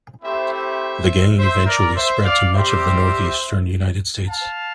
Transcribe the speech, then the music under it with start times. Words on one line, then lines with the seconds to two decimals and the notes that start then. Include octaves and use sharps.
The gang eventually spread to much of the Northeastern United States.
0.22 A3 C4 E4 G4 C5 E5
0.51 C5 E5
1.37 C5 E5
1.66 A#4 D5
1.95 C5 E5
2.23 D5 F5
2.52 G3 C4 G4 C5 E5
4.26 F5 A5